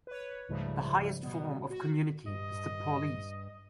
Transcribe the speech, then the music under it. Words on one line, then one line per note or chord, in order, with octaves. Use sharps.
The highest form of community is the polis.
B4 C#5
C#2 G#2 C#3 F3 G3 A3
B2 G3 B3
F#4
G2 D#5